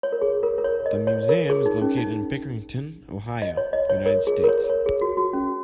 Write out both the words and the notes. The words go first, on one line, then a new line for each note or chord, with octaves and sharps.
The museum is located in Pickerington, Ohio, United States.
C#5
A#4
G#4
A#4
A#4
C#5
D#5
C#5
A#4
G#4
D#4
C#4
D#4
D#5
C#5
D#5
C#5
A#4
G#4
A#4
C#5
C#5
G#4
F#4
F#4
C#4